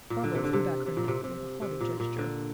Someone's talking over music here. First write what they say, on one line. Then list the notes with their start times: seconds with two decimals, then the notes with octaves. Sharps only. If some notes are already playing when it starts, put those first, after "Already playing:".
Barbara threw back her neck with a haughty gesture.
0.10 A#2
0.23 D3
0.35 C3
0.44 D3
0.53 C3
0.86 C3
0.97 A#2
1.08 C3
1.24 C3
1.62 C3
1.81 A#2
2.00 A#2
2.18 D3